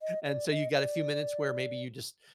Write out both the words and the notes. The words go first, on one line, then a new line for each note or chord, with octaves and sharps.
And so, you got a few minutes where maybe you just
D#5
D5
D#5
D5